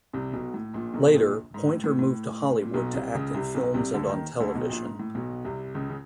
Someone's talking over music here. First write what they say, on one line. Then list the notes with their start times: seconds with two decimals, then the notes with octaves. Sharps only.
Later, Pointer moved to Hollywood to act in films and on television.
0.13 C2 C3
0.33 B1 B2
0.54 A2
0.74 A#1 A#2
0.94 B1 B2
1.13 A#1 A#2
1.54 G#2
1.69 A2
1.84 A2
1.99 A2
2.62 A#2
2.74 B1 B2
2.94 C2 C3
3.15 C#2 C#3
3.34 C2 C3
3.55 B1 B2
3.74 C2 C3
3.94 D2 D3
4.09 D#2 D#3
4.40 D2 D3
4.55 B1 B2
4.70 A#1 A#2
4.85 G#2
4.99 A2
5.15 B1 B2
5.45 C2 C3
5.75 C#2 C#3
5.90 C#3